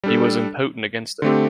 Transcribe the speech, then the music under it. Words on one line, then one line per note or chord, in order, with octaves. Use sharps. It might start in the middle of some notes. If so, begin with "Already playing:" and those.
He was impotent against it.
G3 D4 A4
D3 A3 C4 G4